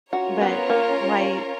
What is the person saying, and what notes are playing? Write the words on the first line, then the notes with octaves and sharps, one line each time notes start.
But, like,
C#4 F4 F#4 A#4 C#5
B3
A#3